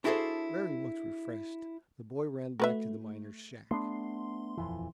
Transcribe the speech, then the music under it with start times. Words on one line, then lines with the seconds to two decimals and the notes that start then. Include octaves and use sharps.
Very much refreshed, the boy ran back to the miners' shack.
0.04 D4 E4 F#4 G#4 A4 C5
2.60 A3 F#4 B4 E5
3.71 A3 B3 D4 C6
4.57 D#1 F2 E3